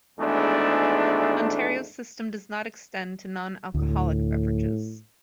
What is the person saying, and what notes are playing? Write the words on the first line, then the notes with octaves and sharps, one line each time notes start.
Ontario's system does not extend to non-alcoholic beverages.
G#1 E2 G#2 A3 D4
D2 A2